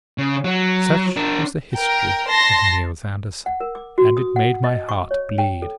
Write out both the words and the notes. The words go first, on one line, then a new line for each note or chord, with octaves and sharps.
Such was the history of Niels Andersen, and it made my heart bleed.
C#3
F#3
D4 A#4
A#4 G5
A5 C6 A#6
F#5
A#4
D6
F#4
D#6
F#5
D#5
C#6
C#5
G5
A4